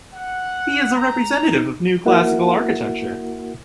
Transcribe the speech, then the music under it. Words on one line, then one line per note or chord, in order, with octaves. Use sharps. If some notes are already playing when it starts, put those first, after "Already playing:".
He is a representative of New Classical Architecture.
F#5
A#5
D#4
A#3 E4 F#4 A#4 E5 F#5